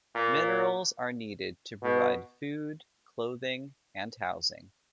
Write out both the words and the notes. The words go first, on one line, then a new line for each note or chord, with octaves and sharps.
Minerals are needed to provide food, clothing, and housing.
A#2
B2